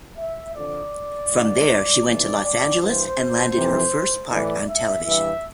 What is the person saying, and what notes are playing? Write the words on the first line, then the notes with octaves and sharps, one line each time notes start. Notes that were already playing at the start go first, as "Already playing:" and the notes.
From there she went to Los Angeles and landed her first part on television.
E5
F2 D3 D5
G2 D3
F2 C3 E3 D5
D5
G2 E3 C5
F2 C3 E3
A2 E3 D5
E5
G2 E3 E5